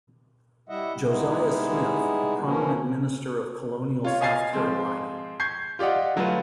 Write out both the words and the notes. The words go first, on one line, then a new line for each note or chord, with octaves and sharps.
Josiah Smith, a prominent minister of colonial South Carolina.
G3 E4 D#5 E5 F#5
G3 G#3 B3 D#4 E4 G#4
F3 A#3 B3 C#4 F#4
F4 C#5
D#5 F5 G#5 A6 C7
F3 G#3 C4
C#6 G6 G#6 C7
F4 G4 D5 D#5 F#5
D3 F#3 A3 F4 F#4 B4